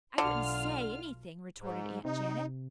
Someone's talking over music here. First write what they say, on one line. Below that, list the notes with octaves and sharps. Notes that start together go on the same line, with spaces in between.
"I wouldn't SAY anything," retorted Aunt Janet.
B1 D3 F4 F6
G#2
C3 D#4